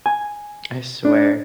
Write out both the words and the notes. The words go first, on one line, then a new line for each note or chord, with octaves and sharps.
I swear
G#5
D4